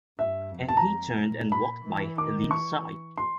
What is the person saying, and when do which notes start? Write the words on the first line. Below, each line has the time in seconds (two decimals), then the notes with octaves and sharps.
And he turned and walked by Helene's side.
0.19 G2 E5
0.51 F2
0.68 A5
0.77 A#5
1.18 A#2
1.52 B5
1.84 E3
2.17 D#3 D6
2.51 E3 C#6
3.17 C6